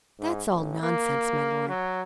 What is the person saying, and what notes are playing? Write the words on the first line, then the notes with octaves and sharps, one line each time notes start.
"That's all nonsense, my lord."
G#2
A1
A#3
F#3